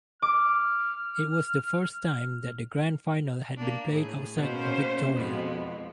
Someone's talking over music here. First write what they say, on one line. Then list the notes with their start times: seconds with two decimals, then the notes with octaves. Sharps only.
It was the first time that the Grand Final had been played outside Victoria.
0.22 D6 F6
3.56 A#3 D4
3.90 A2 G#4
4.37 B2 A#3 C#4 C5
5.14 F2 B2 G#3 B3